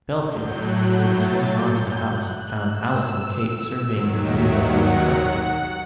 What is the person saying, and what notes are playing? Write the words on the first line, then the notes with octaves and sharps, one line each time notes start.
Bellfield, who was sent on to the house, found Alice and Kate surveying the newly arrived carpet bag.
A2 F#3 G6
F#6
G6
A6
G6
G6
F#6
F#6
E6
D#2 D#3 F#3
E5
F#5